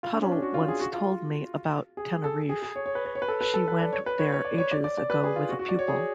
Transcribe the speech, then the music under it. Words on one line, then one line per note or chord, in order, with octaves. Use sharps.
Puddle once told me about Teneriffe, she went there ages ago with a pupil.
F4
D4
C#4
D4
F#4
F4
G#4
F#4
F4
G#4
A4
G#4
G#4
C#5
C#5
B4
C#5
C#5
B4
A4
B4
A4
B4
D5
C#5
B4
C#5
C#5
D5
C#5
D5
D5
D5
B4
G#4
F4
F#4
F#4
D5
C#5
G#4